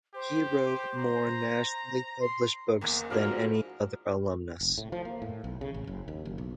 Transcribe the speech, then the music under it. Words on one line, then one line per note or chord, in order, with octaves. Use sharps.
He wrote more nationally-published books than any other alumnus.
G4 C5
A#5
C6
F#1 E2 A#3
G#2 F3 A#3 D4 E4 F#4 A#4
F1
A2
F3
A#3
A2
B1
C#3
A1
F#1
D#2
F#1
B1